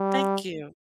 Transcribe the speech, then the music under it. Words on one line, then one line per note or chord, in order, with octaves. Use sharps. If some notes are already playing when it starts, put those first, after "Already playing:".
Thank you.
Already playing: G3